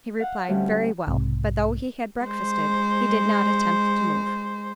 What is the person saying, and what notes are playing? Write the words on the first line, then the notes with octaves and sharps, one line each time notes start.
He replied, "Very well." But though he had breakfasted, he did not attempt to move.
F5 F#5
D2 G3 C4 C#4
B1 G#2 C3
G#3 C5